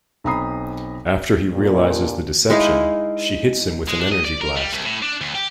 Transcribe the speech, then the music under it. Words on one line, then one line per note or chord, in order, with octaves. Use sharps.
After he realizes the deception, she hits him with an energy blast.
B1 C4 A#5 B5 D#6 C7
G2 A#2
G#3 D#4 E4 F5
G#3
D4
D#5
D5
A#4
G3
C2
A2
D4
D2
G4